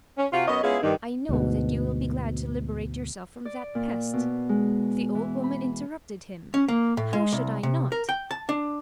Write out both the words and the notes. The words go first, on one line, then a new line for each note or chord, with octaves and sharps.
I know that you will be glad to liberate yourself from that pest." The old woman interrupted him: "How should I not?
C#4
C3 F4 F#4
F#2 B3 C#5 D#5
G#3 B3 C#4 E4 F4 G#4
G2 D#3
D2 G#2 B2
D5
A#2
B2
G#3
E3
B5
C#4
A#3
A2
G#3
C2
C3
A#4
G5
A5
D4